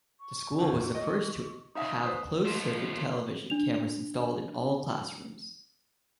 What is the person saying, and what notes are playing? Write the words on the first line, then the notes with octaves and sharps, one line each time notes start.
The school was the first to have closed-circuit television cameras installed in all classrooms.
C#6
E2 D3 D#3
D#5
D#4 E5 F5 D#6
B4 C5
D#2 F3
D4 F7